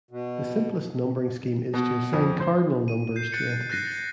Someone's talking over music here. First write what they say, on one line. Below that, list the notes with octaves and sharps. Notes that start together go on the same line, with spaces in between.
The simplest numbering scheme is to assign cardinal numbers to entities.
B2
B2
F2
C5
D#7
G6 C7
F#6 A6 C7 C#7
D#7
F#6 G6 A6 A#6 C7 D#7
A6